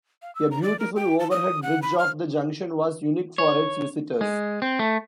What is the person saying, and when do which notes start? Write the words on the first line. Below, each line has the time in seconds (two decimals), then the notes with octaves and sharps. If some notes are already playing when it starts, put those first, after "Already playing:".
A beautiful overhead bridge of the junction was unique for its visitors.
0.22 F5
0.35 E6
0.51 A#5
0.63 D5
0.79 A#4
0.96 G5
1.20 A5
1.31 D#6
1.63 F#5
1.82 B5
1.99 F6
3.38 C#5
4.21 G#3
4.62 C4
4.79 A3